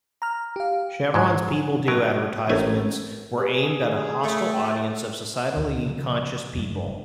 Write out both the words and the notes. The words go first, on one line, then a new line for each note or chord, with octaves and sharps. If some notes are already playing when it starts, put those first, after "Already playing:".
Chevron's "People Do" advertisements were aimed at a "hostile audience" of "societally conscious" people.
A#5 F6
G4 F5
G#2 F#3 G#3 F#5 G#5
A2 F#3 A#4
A1 A3 C4 C#4 A#4 G#5
G4 G#4 B4
A3
G5
D2 D3
C#3 E3 F3
F1 F#2
F#1 G2